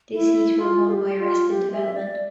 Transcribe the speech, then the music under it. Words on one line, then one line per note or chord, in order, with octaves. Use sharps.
This heat was won by Arrested Development.
E4
F4
A4
G4
F4
G4
E5
D5